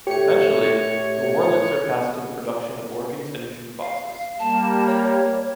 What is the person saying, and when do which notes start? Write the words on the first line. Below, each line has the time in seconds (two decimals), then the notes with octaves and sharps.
Eventually, the Wurlitzer passed to the production of organs and jukeboxes.
0.07 A2 A3 G4 C#5 C#7
3.81 F5
4.39 G3 A#3 A5
4.87 C#5